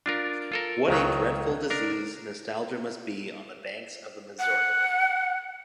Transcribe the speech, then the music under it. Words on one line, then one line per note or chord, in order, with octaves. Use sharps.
What a dreadful disease nostalgia must be on the banks of the Missouri.
D4 F4 A#4
F4 A4 A#4
C#2 D#3 F#3
D4 A#4
F#5